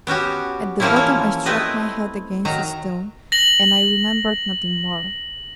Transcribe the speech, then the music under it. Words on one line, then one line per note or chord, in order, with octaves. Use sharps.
At the bottom I struck my head against a stone, and I remembered nothing more.
B3 C#4 F#4 G4
E3 F3 A#3 C4 C#4 E4
C#4
A3 C4 E4 B4 D#5
D#3 F#3 A#5
A#6 F#7